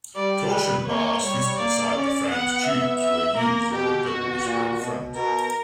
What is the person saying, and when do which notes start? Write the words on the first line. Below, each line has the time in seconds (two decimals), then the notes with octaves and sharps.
Torsion bars fitted inside the frame's tubes were used in the double wishbone front.
0.16 G3 D5
0.52 B4
0.87 A#3 C#5
1.23 G3 C#5
1.58 A#3 D5
1.94 C#4
2.30 B3 F#5
2.65 E5
3.01 E5
3.37 A#3 A#4
3.72 B2 G4
4.07 F#4
4.43 A#2
4.79 B2
5.15 B2 A#4